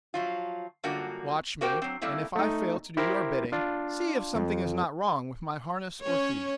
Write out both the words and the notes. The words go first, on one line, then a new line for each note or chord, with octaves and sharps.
Watch me, and if I fail to do your bidding, see if something is not wrong with my harness or feet.
F3 F#3 F4
F#2 D3 G3 A#3 F4 F#4
A#3 F#4 G4 A#4 C5 G5
F#3 C4
G3 A3 A#3 C4 E4
A3 D#4
E4 G4 A#4 C5
D4 F4
F2
C#4 C#5